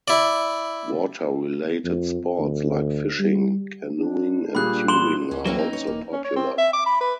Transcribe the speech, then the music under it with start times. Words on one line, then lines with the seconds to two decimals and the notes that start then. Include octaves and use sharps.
Water related sports like fishing, canoeing and tubing are also popular.
0.08 E4 D5
1.85 F2
2.38 D2
3.19 G3
3.95 D4
4.55 A#2 G3 G#4 B5 F#6
4.88 C6 E7 G7
5.31 D2 C#4
5.45 E3 F#3 A#3 C4 C#4
5.59 C#4 D#4
5.73 C#5
5.87 E1 A#3
6.13 C#4
6.24 C#5
6.36 C4
6.58 E5
6.73 D6
6.86 B5
7.00 B4